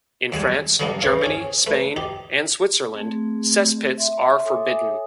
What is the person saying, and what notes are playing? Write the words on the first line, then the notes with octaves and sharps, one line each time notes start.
In France, Germany, Spain and Switzerland, cesspits are forbidden.
D#2 G3 G#3 G#5
D3 D#3 G3 A#3 D4 D#4
D#3 E3 C#5 F5
C#4 G#4 C#5
A3 B4
D#4 G4
A3 C4 G#4
E5 C6
A4 C#5 E5 G#5 D6 D#6